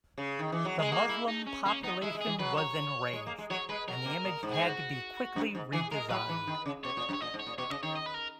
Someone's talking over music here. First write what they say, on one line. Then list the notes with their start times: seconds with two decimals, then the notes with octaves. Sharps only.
The Muslim population was enraged and the image had to be quickly redesigned.
0.18 C#3
0.39 D#3
0.52 E3
0.65 F#3
0.79 G#3 G#4
0.91 A#3 F#4
1.10 E4
1.28 D#4
1.47 C#4
1.66 A#3 C#4
1.84 B3 D#4
2.02 G#3 E4
2.15 G#3
2.21 G#4
2.27 E3
2.40 F#3 B4
2.58 C#5
3.13 G#3
3.27 A#3
3.38 G#3
3.50 F#3 C#5
3.69 G#3 B4
3.88 F#3 A#4
4.06 B2
4.25 A#2
4.43 G#2
4.52 G#4
4.62 F#4
5.36 F#2
5.55 G#2
5.73 E3 G#4
5.91 G#3 A#4
6.10 F#3 B4
6.29 E3
6.47 D#3
6.66 C#3
6.84 B2 C#5
6.97 A#2
7.09 F#2
7.14 C#5
7.21 A#2 D#5
7.34 G#2
7.40 C#5
7.47 A#2
7.58 B2 C#5
7.70 C#3 D#5
7.83 D#3 C#5
7.95 D#5
8.06 B4
8.14 A#4